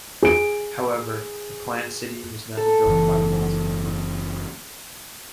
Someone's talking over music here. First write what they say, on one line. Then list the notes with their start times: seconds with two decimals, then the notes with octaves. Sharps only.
However, the planned city was never built by the Mont family.
0.23 G#4 D7
2.57 A4
2.86 F#1 E3